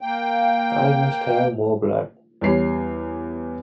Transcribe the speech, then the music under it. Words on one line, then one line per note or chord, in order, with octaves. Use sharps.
I must have more blood!
A#3 G5
E2 G3 C#5 C7